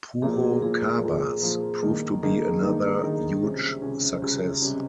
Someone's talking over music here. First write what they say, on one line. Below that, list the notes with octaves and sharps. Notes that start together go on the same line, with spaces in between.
"Puro Cabas" proved to be another huge success.
A#2 F3 A#3 F4 G#4
G4
G#4
A#4
A#2 F3 A#3 F4 G#4
A#2 F3 A#3 F4
A#2 F3 A#3 F4 G#4
G2 D#3 A#3 D#4
G2 D#3 A#3 D#4 G#4
G2 D#3 A#3 D#4
G2 D#3 A#3 D#4
C#2 C3 G3 C#4 C5
C#2 C3 G3 C#4
C#2 C3 G3 C#4
C3 G3 C#4 D#5